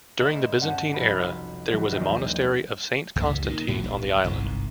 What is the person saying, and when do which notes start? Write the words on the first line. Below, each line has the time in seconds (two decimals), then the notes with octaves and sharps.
During the Byzantine era, there was a monastery of Saint Constantine on the island.
0.19 D2 D#5 C#6 E7
0.60 G2 C#4 F#5 A5 G6
0.94 F1 B1 D#4 B5
1.70 E3 F#3 G3 F#4 B4 C5
1.91 A#1 D#2 D4 A#4 D#5 G5
3.16 C#2 G2
3.44 A#2 D#3
3.67 A#1 A2 D3 F3
3.83 D1 B1
4.24 G1 C2 G#2